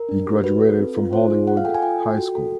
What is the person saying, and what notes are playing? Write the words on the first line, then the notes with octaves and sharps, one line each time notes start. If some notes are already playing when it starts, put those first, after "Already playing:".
He graduated from Hollywood High School.
Already playing: A#4
D4
G4
F#4 B4
A4
C4
F4
F4 C5
G#4
F4 F#5
F5
A4 G5
G#5
F4 G5
A4
F#4
A4